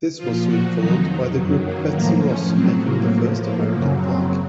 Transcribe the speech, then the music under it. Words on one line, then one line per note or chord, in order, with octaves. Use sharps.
This was soon followed by the group Betsy Ross Making the First American Flag.
A#2 F3 F4
F#4
F2 D#3 F#3 D#4
F#2 D#3 F#3
A#3
A2 F3 A#3
C#4
A2 F#3 C4
A#3
A2 F3
A#3
F#2 C#3 F#3 A#3
C4